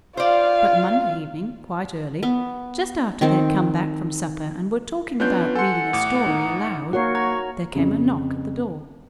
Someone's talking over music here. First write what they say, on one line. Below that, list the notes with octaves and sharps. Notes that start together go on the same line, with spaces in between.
But Monday evening quite early, just after they had come back from supper and were talking about reading a story aloud, there came a knock at the door.
F4 C5 D5 F5
B3
D#3 C4 C5
B3 C#4 D4 F4 B4 G6
A4 F#5 G#5 C6
A2 D6
D#4
A#3 F#4 A#4 C#5 F#5
A#5 C#6 G#6
F2 C#3